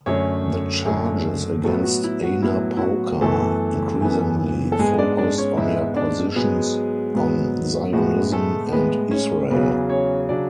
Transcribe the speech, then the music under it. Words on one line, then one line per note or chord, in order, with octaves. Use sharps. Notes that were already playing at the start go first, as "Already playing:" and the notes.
The charges against Ana Pauker increasingly focused on her positions on Zionism and Israel.
F#2 D3 A3 C#4 C#5
F#2 D3 A3
A2 F#3 A3 B3 A4
F#4
E4
F#4
A2 F#3 B3 E4
E4
F#4
F#2 E3 A3 B3 A4
F#2 E3 B3
A4
G#2 G#3 B3 G#4
D4 D5
D4 D5
C#4 C#5
G#2 G#3 B3 E4 E5
D4 D5
G#2 F#3 G#3 B3 G#4
G#2 F#3 B3
A2 G#3 B3 F#4
A3 A4
A2 G#3 B3 B4
C#4 C#5
E2 C#3 F#3 B3 B4
C#4 C#5
C#3 F#3 D4 D5